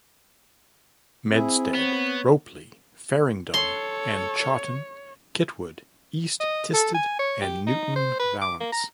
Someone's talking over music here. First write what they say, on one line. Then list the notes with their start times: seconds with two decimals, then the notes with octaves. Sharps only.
Medstead, Ropley, Farringdon and Chawton, Kitwood, East Tisted and Newton Valence.
1.31 C4 E4 G#4 E5
1.75 B3 C#5
3.54 A4 C#5 C6
6.40 D#5
6.73 A4
6.95 G#5
7.19 C#5
7.42 G4
7.66 D#4
7.96 C5
8.19 B4
8.42 D6
8.60 A#3
8.72 A#5